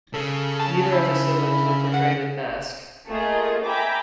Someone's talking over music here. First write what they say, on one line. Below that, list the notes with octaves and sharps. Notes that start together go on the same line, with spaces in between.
Neither of his siblings were portrayed in "Mask".
C#3 A4
A5
E4
F#5
A3 A#3 F4 G#4 A#4 D#5
E5 G5 G#5 A#5 B5 D6